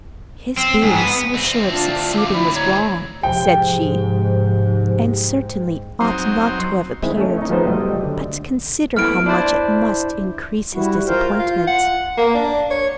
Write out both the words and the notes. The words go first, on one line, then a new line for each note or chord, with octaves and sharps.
"His being so sure of succeeding was wrong," said she, "and certainly ought not to have appeared; but consider how much it must increase his disappointment!"
C4
G#2
B3
D2 C4
D4 F4 A5
F5 D6
E4 D5 B5
C#5 A#5
G#2 C3 F3 G5
F#3 C4 D#4 C5
D#3 G#3 C4 E4
A3 C#4 C#5
D#4 D#5
F3 G#3 A3 B3 D#4 C5
F#3 G3 A3 D#5 G5
D3
A3 B3 E4 F6 D7
D4 E4 C5 D5
G3 E4 F#4
F4 A#4 C5 F5 G5
F4
F#5
A#3
D4
C#5